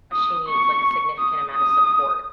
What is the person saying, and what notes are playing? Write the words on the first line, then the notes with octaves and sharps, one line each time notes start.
uh, she needs, like, a significant amount of support,
D#6
C#6
D#6
D#6